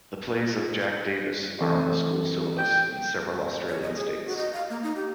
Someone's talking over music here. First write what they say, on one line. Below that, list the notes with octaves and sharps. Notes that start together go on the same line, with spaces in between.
The plays of Jack Davis are on the school syllabus in several Australian states.
E3 C4 A4
G5
C#5
D#5
G#4
D#5
F#4
D#5
F5
A#3
D#4
G4